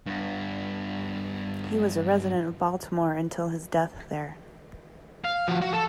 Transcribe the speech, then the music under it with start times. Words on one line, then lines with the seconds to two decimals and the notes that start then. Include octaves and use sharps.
He was a resident of Baltimore until his death there.
0.06 G2 B3
5.25 F5
5.48 F3 F#4
5.61 F#4
5.74 A4 A5